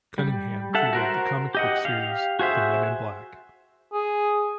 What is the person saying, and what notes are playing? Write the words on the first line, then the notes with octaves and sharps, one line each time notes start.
Cunningham created the comic book series "The Men in Black".
G3
A4 E5 F#5
F#4 A#4 C5
G4 D#5 F#5
G4 F5
F#4 G#4 C5 E5
G#4